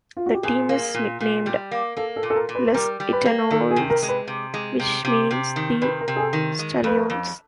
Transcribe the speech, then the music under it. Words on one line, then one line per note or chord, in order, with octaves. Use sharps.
The team is nicknamed "Les Etalons", which means "The Stallions".
F4
F#4
G4
A#2 G#4
A#3
A#2
A#2
G3
A#3
A#3 A4
A4
A#2
A4
A#4
A#2
B4
G3 A#4
G3
B4
A#3
D#3 A4
G#4
C3
A#4
G#3
B4
C3
G#3
C3
C3
C3
D#3
C3 B4
A#4
C3
G#4
A4
D#3
G#3
F2 B4
A#4
F2